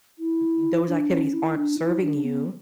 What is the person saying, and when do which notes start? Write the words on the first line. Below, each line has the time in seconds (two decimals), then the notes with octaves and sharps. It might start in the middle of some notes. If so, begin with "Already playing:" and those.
th those activities aren't serving you,
0.19 E4
0.88 D4
1.10 C#4
1.33 E4
1.56 D4
1.79 E4
2.02 D4
2.24 B3